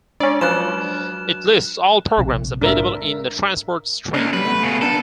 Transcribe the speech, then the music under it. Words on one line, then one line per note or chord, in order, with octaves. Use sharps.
It lists all programs available in the transport stream.
G#3 C#4 D4 D5
F3 F#3 F#4 F6 F#6 E7
A#1 C3
G#2 D4 A#4 E5
C#2 A#3 C#4 D4
F#3 G3 B4
A3 B3
A2 C#3
B3 D4 A4 A#4